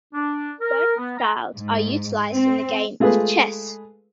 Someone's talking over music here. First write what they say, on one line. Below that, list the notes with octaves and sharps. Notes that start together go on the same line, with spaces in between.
Both styles are utilized in the game of chess.
D4
A#4
B3
A#5
G#2
C4
G#3 A3 F4 G#4 B4